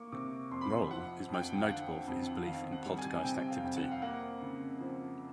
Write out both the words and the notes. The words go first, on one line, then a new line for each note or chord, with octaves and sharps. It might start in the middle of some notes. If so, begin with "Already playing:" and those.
Roll is most notable for his belief in poltergeist activity.
Already playing: A#3 C#6 D6
C3 D6
F2 C6
B5
C6
F3 F#5
F2 G5
F#5
F5
D3 F#5
F#5
F2
F#5
D#3 F5
F#5
G3
G#5
C3 G5
F5
F2 G5
F#5
F5
A#3 F#5
C#3
F3